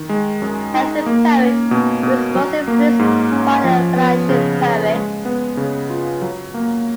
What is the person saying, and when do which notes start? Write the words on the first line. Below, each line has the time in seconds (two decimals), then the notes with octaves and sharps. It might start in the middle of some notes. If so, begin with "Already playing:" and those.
As a poet he was most influenced by the Parnassian poets.
Already playing: D#3
0.09 G#3
0.42 F#2
0.74 D#4
1.06 A#3
1.39 C#4
1.71 B2
2.03 B2
2.35 F#3
2.68 A#3
2.99 G#2
3.32 C#4
3.64 F3
3.96 B3
4.29 C#3
4.61 C#3
4.94 G#3
5.25 B3
5.57 C#3
5.90 F4
6.22 F#3
6.54 A#3